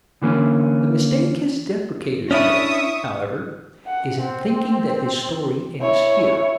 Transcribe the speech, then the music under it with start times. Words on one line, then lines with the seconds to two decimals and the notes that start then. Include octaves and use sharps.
The mistake his depreciators make, however, is in thinking that his story ends here.
0.22 D3 E3 A#3 C#4
2.31 C#4 D4 E4 E5 C#6 D#6
3.87 F#5
4.21 C4
5.81 E4 C#5